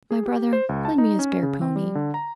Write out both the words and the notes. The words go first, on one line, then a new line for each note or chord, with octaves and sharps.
My brother, lend me a spare pony.
G#4
G4
C5
C#2
A5
D#4
C#4
C#3
C4
G3
D3
A#5